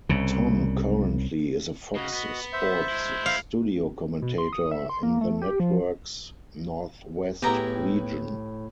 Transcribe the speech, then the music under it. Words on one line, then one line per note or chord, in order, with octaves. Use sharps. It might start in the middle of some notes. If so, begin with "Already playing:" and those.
Tom currently is a Fox Sports studio commentator in the network's Northwest region.
C2 C#3
C#3 F#4 D#5
B3
C5 E5
G#3 E4
F5
B2
C6
D#6
E5
C6
A#3
A3
G4
F3
A2 B3 E4 G4 G#4 B4 G5 A#5